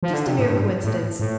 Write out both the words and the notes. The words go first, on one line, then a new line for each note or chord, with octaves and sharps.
Just a mere coincidence.
F3
D3
C3
A2
G2
A2
A2